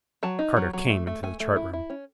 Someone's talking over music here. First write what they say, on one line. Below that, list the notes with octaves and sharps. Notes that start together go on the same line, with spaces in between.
Carter came into the chart room.
F#3 A5
D#4
F#3
F#3
A3
A3
A3 G#5
A3
E4
E4
C#4